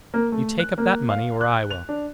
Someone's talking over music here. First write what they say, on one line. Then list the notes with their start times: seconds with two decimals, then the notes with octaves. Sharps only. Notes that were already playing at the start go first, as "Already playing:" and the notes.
You take up that money, or I will.
0.14 A#3
0.32 A3
0.59 F#6
0.78 A#3
1.10 F5
1.41 F#6
1.71 F7
1.89 D4